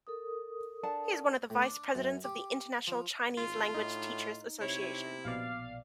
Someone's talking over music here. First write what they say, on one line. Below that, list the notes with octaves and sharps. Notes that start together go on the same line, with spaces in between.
He is one of the vice-presidents of the International Chinese Language Teachers Association.
A4 A#4 D#6
D4 F#5 A5
A2
D4
F#2
G4
F3
G#1 F4
A2 D#4
C3 E4 C#5
A#1 B2 D5 F5